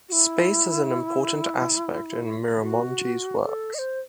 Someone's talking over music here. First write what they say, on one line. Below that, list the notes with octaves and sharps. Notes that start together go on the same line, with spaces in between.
Space is an important aspect in Miramontes’ works.
F#4
E4
F#4
A4
D#5
C5